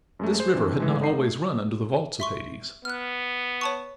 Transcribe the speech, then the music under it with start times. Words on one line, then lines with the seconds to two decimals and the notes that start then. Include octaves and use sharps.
This river had not always run under the vaults of Hades.
0.19 F#2 G#3 A3
0.36 G#4 C5
0.55 E3 C4 D4
0.80 A2 E3 G#3
0.99 G#1 D#4 C7
1.18 A3
2.20 E5 C6 C#6
2.85 B3 F6 F#6
3.61 C#5 A5 C#6